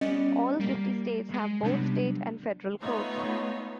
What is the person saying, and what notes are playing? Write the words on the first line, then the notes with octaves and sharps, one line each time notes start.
All fifty states have both state and federal courts.
G3 B3 C#4 D5 D#5
G3 A#3
G#3
C3 F#3 G3 B3 D4
A3 B3 D#4 F4 C#5